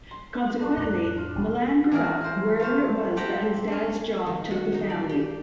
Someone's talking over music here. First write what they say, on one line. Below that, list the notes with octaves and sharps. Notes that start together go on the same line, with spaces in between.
Consequently, Milan grew up wherever it was that his dad's job took the family.
C6
D4
F2 A2 D4
F4
E1 C#2
E3 F#4 G#4 A#4 D5
A#4 C5
A3 B3 C5 F5
C4 G4 F#5 G5 A5 A#5
C#4 D4
D#3
F#4
D#4
D5
G4